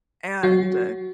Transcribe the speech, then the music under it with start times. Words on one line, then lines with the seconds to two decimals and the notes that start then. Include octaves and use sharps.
and, eh
0.43 F#3 F#4